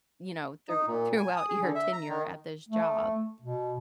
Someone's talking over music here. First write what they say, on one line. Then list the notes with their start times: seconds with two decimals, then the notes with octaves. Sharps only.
you know, through throughout your tenure at this job?
0.69 D#4
0.87 A#2
1.17 G#5
1.36 D#6
1.49 G#4
1.62 D3
1.75 E5
1.93 A#5
2.09 D#3
2.69 A3
3.42 B2